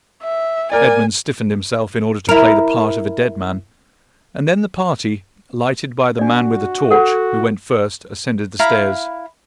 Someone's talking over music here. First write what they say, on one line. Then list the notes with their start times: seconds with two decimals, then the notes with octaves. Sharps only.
Edmond stiffened himself in order to play the part of a dead man, and then the party, lighted by the man with the torch, who went first, ascended the stairs.
0.23 E5
0.72 A#3 A#4 D5 G#5
2.29 E4 A#4
6.19 D4 F#4 D5
6.91 F#4 A4 F#5
8.59 E4 F5 A#5 B5